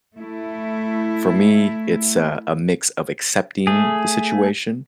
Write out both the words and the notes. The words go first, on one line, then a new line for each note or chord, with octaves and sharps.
For me, it's, uh, a mix of accepting the situation,
A3 E4
A3 G#4